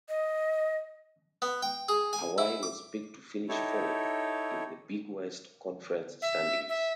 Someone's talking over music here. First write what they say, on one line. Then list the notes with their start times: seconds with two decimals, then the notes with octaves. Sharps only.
Hawaii was picked to finish fourth in the Big West Conference standings.
0.09 D#5
1.42 B3
1.62 G5
1.89 G#4
2.13 G#5
2.38 E4
2.63 D6
3.49 D#4 E4 G4 A4 C#5
6.22 E5
6.69 E5